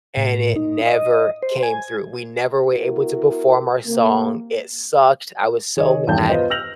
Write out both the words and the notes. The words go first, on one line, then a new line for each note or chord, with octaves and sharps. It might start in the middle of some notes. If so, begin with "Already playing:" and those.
and it never came through, we never were able to perform our song, it sucked, I was so mad.
A2
D#4
D#5
C5
G#5
B3 E4 F#4 A#4
C3 A#3
D#3 G#4 C#5 D#5
E2 G2 D#3 A5 G6
B3 F4 B4 C5 D#5
E6 F6 G6 A#6 F7 F#7